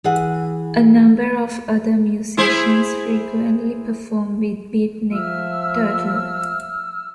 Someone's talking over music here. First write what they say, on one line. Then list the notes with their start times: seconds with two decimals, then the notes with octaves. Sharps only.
A number of other musicians frequently perform with Beatnik Turtle.
0.04 E3 G#4 F#5
2.37 E4 G#4 C5
5.12 F3 E5 E6 F6